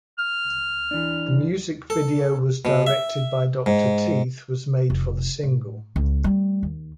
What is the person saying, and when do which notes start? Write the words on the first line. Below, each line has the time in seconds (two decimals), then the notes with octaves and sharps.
The music video was directed by Doctor Teeth was made for the single.
0.18 F6
0.91 E3 D4
1.90 A4
2.65 B2
2.87 E5
3.66 G#2
4.90 F1
5.43 A2
5.96 C#2
6.24 G3 A3
6.63 D#2